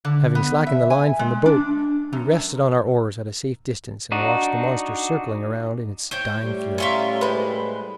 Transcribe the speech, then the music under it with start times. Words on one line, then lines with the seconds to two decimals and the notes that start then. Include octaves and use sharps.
Having slackened the line from the boat, we rested on our oars at a safe distance and watched the monster circling around in its dying fury.
0.05 D3
0.35 B3
0.67 E5
0.90 G#5
1.19 G#3
1.46 D4
2.13 F#2
4.12 D4 D#4 F#4
6.11 C5 C#5 G5
6.42 A2 G3
6.78 C#4 F4 A#4 E5 C6 C#6
7.21 G#3 B4 C5